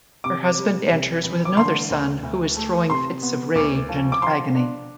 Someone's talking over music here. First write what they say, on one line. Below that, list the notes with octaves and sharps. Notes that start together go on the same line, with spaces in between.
Her husband enters with another son who is throwing fits of rage and agony.
C3 D6
G3
C2
E3
D6
D3 C6
D2
D2
A3
C3 C6
B3
D2 D6
F3
D6
F3 C6
D4